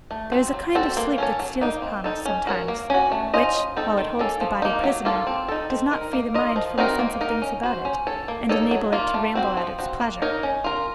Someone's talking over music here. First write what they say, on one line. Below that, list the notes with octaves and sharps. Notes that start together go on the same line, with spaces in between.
There is a kind of sleep that steals upon us sometimes, which, while it holds the body prisoner, does not free the mind from a sense of things about it, and enable it to ramble at its pleasure.
A3
C4 F#4
F#3
C4 F#4 A4
A#3
C#4 A4 C#5
F#3
A#3 D#4
C4
D#4 A4
C#4
F#4 A#4 C#5
A#3
C#4 F#4
A3
C#4 F4 C5 D#5
F#3
C4 D#4 A4
D#3
A#3 C#4 A4
F3
A#3 D#4
F#3
A#3 F4 A4
C4
D#4 A4
C4
D#4 A#4
A#3
F4 A#4 D#5
F3
C4 D#4 F#4 A#4
A#3
D#4 A#4
C#4
F#4 C5
C#4
A4 C#5
A#3
D#4 A4 C#5
F#3
A#3 F4
A3
C4 F#4 C5
F3
C4 F#4
A#3
D#4 A#4 C#5
C#4
F4 A#4